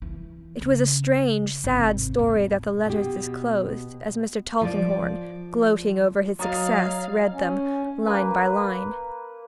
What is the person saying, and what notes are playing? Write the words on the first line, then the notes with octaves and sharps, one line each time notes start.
It was a strange, sad story that the letters disclosed, as Mr. Tulkinghorn, gloating over his success, read them, line by line.
E3
C#3
G#1 C3
B2
B2 G4
F3 D5
F#3 C#5 D#5 F5 A#5 D#6 A6
C#4
A#3 B4